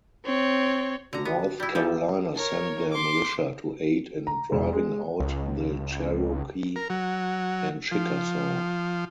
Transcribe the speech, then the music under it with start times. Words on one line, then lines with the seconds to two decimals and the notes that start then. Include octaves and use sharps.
North Carolina sent their militia to aid in driving out the Cherokee and Chickasaw.
0.25 C4 C#5
1.13 D3 F#4 A#5
1.25 B3
1.60 G3 E4
1.75 F3 G3 A4
2.35 A#4 C#5
2.92 C6 D6
4.27 A#5
4.52 E1
4.73 G#3
5.20 C#2
6.76 A#4
6.90 F#3
7.91 F3